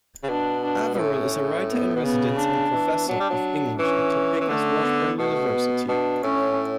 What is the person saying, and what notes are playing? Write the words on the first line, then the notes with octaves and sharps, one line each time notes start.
Averill is a writer-in-residence and professor of English at Topeka's Washburn University.
C#3
B2 D4
D4
B2
A2 C#4
B3
B2
C#3 B3
D4
E3
F#3 D4
G3
F#3
E3 C#4
E3
D3 A3
B3
B2 A3
B3
B2 D4
A2 C#4